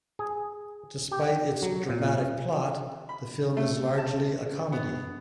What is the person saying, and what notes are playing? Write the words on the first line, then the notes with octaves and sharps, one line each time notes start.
Despite its dramatic plot, the film is largely a comedy.
G#4
G4
F#3
A#2
B5
A3
A5
B3